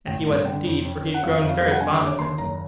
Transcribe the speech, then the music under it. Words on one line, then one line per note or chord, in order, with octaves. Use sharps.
And he was indeed, for he had grown very fond of him.
A1 G5
G2
D3 G5
F2
C#4
C#4
F#5
F2 F5
E5
F2
F5
G3 F5
F#5
D3 G#5
C#6
D#2 D6
D#2 C6
F#1 A#5